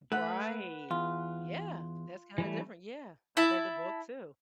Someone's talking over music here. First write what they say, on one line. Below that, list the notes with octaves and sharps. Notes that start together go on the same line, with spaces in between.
Right, yeah, that's kinda different, yeah, I've read the book too.
A3 B4 F#5 F#6
E2 F4
E3 G3 A3
E4 E5 A5